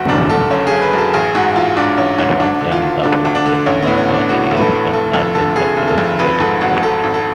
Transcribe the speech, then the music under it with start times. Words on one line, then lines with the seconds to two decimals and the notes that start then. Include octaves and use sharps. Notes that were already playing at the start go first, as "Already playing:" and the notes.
At one time the publication was the area's second largest circulating daily newspaper.
Already playing: F#1 F#4
0.08 F#2 D4
0.29 D3 A4
0.50 F#1 C#4
0.67 F#1 G#4
0.82 B4
0.93 F#2
0.98 A4
1.13 A1 G#4
1.35 G#2 F#4
1.56 A1 F4
1.77 G#2 D4
1.98 A1 C#4
2.18 G#2 C#4
2.40 D2 D4
2.61 D3
2.72 F4
2.82 D2
3.03 D3 D4
3.25 D2
3.35 D4
3.46 D3
3.66 A1 C#4
3.82 A2 B3
3.98 C#4
4.09 A1
4.14 D4
4.29 A2 F#4
4.51 A1
4.57 B4
4.61 A4
4.72 A2
4.93 F1 A4
5.14 F2 A4
5.35 D3 A4
5.56 F1 G#4
5.77 F1
5.87 A4
5.98 F2
6.19 G#1 B4
6.40 G#2 A4
6.61 G#1 F#4
6.82 G#2 A4
7.03 G#1
7.14 A4